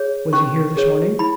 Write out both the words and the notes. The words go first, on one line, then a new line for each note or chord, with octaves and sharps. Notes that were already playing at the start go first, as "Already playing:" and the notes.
'Was he here this morning?'
Already playing: G#4 C#5
C#4 C#6
G#4 C#5
E4 B5